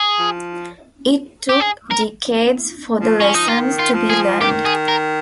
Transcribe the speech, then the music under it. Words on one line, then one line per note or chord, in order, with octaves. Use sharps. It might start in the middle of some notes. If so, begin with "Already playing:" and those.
It took decades for the lessons to be learned.
Already playing: G#4
F3
G4
G#4
A#4
F3
C#4
D#4
D#3 F4
F4
F3
G#4
D#3 G4
G#4
A#4